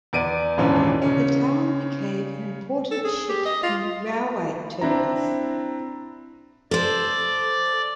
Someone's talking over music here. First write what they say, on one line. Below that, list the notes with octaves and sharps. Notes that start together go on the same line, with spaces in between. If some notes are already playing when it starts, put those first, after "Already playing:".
The town became an important ship and railway terminus.
E2 D5 D7 D#7
D#1 G#2 E3 C#4 D4 A5
C#3 C#4
A4
G#4
G4
D#5
F4
C4 D4 E4 A#5
A4 C5 D5 D6